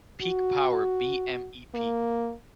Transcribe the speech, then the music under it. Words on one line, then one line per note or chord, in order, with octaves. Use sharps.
Peak power b.m.e.p.
F#4
A#3